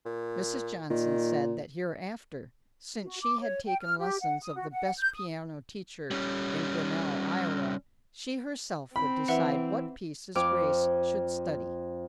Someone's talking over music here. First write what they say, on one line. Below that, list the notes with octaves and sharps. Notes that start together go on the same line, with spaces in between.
Mrs. Johnson said that hereafter, since she had taken lessons of the best piano teacher in Grinnell, Iowa, she herself would decide what pieces Grace should study.
A#2
A#2 D#3
F#4
D6
C#5
G5
F6
G4
F#5
D#6
F#4
F#5
G6
D#6
G3 C#4
C4 B5
E3 B4 E5 F#5
F2 D6 F6